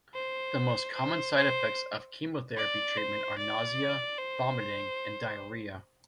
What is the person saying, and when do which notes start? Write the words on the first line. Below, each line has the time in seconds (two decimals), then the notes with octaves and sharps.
The most common side-effects of chemotherapy treatment are nausea, vomiting and diarrhea.
0.14 C5
0.94 C5
1.36 C5
2.57 D5
2.97 C5
3.38 D5
4.18 C5